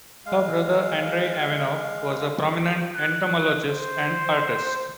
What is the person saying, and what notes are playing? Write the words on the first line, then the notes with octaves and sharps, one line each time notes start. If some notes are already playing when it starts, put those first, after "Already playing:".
Her brother Andrey Avinoff was a prominent entomologist and artist.
G#3 F5
F#6
C5